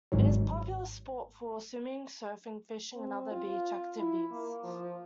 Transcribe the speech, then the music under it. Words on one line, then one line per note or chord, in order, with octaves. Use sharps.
It's a popular spot for swimming, surfing, fishing, and other beach activities.
G#1 G#2 F#3
C4
F4
E4
A#3
F3